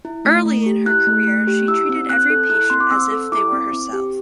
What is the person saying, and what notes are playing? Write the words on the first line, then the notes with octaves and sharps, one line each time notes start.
Early in her career she treated every patient as if they were herself.
E4
A3
A3
G4
E4 F#6
A3
A3
G4
E4 E6
C4
C4 F#6
A4
E4 F#6
C4 C6
D6
C4 E6
A4
E4 D6
C4
C4
G4